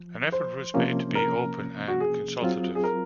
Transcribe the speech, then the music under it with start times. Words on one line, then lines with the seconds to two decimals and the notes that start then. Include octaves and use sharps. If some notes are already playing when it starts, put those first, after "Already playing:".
An effort was made to be open and consultative.
Already playing: F3
0.32 C5
0.74 C3 F3 A#3 C#4
1.15 A#4
1.88 F#4
2.00 G#4
2.42 F#3 C4 F4
2.75 G#4
2.84 A#4